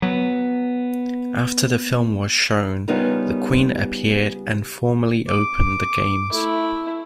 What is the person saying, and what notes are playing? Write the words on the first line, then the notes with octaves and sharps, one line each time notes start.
After the film was shown, the Queen appeared and formally opened the Games.
F#3 B3
C#3 G3 B3 D#4 F4 A#4
D6
A3 E4